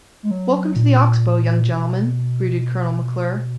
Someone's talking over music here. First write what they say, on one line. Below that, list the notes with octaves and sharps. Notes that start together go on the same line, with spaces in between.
"Welcome to the Ox Bow, young gentlemen," greeted Colonel McClure.
G#3
F#3
A#2
B2